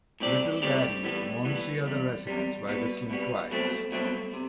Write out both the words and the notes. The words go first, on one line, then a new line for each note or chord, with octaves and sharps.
Little Daddy warns the other residents by whistling twice.
A2 G3 C4 G4 D5
A2 G3 C4 G4 D5
A2 E3 G3 B3
A2 E3 G3 B3
E2 C3 G3
E2 C3 G3
C2 B2 G3 B3
C2 B2 G3 B3
C2 B2 F#3 A3 C4
C2 B2 F#3 A3 C4
C3